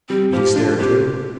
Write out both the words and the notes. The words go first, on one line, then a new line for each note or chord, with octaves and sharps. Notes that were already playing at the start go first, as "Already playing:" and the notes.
"Did he stare too?"
G3 C4
F3 G4
D4 F4
C4 G4